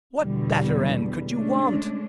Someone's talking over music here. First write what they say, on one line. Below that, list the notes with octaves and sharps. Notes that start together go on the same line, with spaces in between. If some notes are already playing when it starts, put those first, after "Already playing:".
What better end could you want?
E2 B2 D3 G3
G#3 A3 C#4 D4